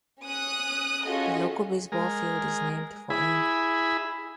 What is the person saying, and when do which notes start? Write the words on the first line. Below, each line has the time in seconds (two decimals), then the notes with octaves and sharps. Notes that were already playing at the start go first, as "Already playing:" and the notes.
The local baseball field is named for him.
0.24 C#4 D#6 F#6
1.07 C#4 F4 F#4 G#4 A4 D#5
1.92 G#3 A#4
3.10 E4 G#4 B5